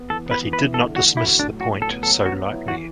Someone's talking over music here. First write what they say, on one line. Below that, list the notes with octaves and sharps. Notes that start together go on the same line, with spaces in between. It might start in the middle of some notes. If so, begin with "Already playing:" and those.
But he did not dismiss the point so lightly.
Already playing: B3
E3 A4
B3
B4
E3
B4
E4
D3 A4
A3
F#4
D3
E4
F#4
A2 D4
F#3
F#4
A2
A4
B3
F#3 A4
B3
F#4
F#3
E4
E3 F#4